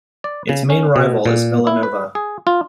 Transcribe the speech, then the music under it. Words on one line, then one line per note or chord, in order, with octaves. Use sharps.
Its main rival is Vila Nova.
D5
C#3
C#4
B2
A#2
E4
B4
G#4
F4